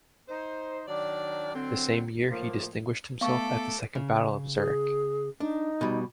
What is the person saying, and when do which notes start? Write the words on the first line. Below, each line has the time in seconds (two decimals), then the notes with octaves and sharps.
The same year he distinguished himself at the Second Battle of Zurich.
0.29 D#4 C5
0.88 D#3 F#3 D4 D5
1.55 D3 F#3 C4
2.30 A2 F3 A#3
3.21 A3 B3 A4 F5 C#6 D6
3.95 C#3
4.56 G#4
5.40 D4 D#4
5.81 B2 G3